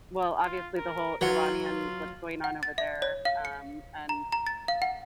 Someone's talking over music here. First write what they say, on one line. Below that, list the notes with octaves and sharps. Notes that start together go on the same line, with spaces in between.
well, obviously the whole Iranian what's going on over there, um, and
F4
A#4
F#3 F4 B4 F#5
F4
F#5
A6
E5
C#5
F5
C#7
A#5
A#5
A6
F5
F#5